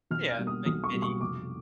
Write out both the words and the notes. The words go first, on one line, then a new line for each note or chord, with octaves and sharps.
Yeah, make many
B1 F6
F6
B2 G3 A#3
D#6
B1 D#6
C#6
B2 G3 A#3
C#6
F1 D6